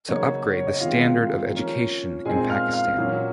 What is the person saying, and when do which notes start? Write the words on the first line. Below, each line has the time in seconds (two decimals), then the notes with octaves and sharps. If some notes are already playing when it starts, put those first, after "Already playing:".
To upgrade the Standard of Education in Pakistan.
0.08 C#3 F#3 A#3 D#4 C#5
0.53 C#5
0.67 D#5
0.80 C3 D#3 G#3 F4 F5
1.53 F3 A#3 C#4
2.25 A#2 G#3 C4 D#4 G#4 G#5
2.50 F5 F6
2.73 F5 F6
2.98 A#2 F#3 C#4